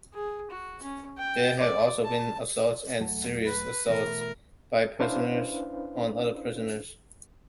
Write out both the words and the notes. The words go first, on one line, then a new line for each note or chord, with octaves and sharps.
There have also been assaults and serious assaults by prisoners on other prisoners.
G#4
F#4
C#4
G5
D5
A5
E1 F#3 A3
B4
B2 E3 A3 A#4
C#4 D4 E4 B4 C5 F5